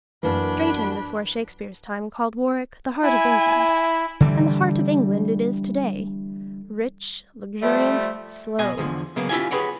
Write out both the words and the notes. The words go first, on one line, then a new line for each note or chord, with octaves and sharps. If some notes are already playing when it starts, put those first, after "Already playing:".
Drayton before Shakespeare's time called Warwick "the heart of England," and the heart of England it is today--rich, luxuriant, slow.
F#2 E3 A#3 D4 B5
E4 G#5
D3 E3 G3
F3 G3 A3
B2 D#5 G#5
E2 D3 F3
C#3 F#3 A#3 B3
C#4 E4 F4 G4 F5 G#5
G4 G#4 B4 C#5 F#5 G5